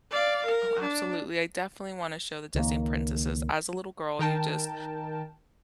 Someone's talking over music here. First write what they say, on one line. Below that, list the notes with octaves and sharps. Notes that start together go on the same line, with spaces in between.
Oh, absolutely, I definitely want to show the Disney princesses. As a little girl, you just
D5 F5
A#4
D4
C#2 D#3 F#3 A#3
D#3 A#4 G5 A5